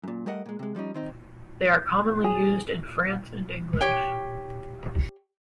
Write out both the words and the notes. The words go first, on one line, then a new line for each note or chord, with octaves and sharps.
They are commonly used in France and England.
F#2 A#2
G3 A3 A#4 D#5 F#5
A#2 G#3
C3 G#3
F3 G3 C#4 D#4
D#3 C4 D#4
G#4
G4 C#5 G5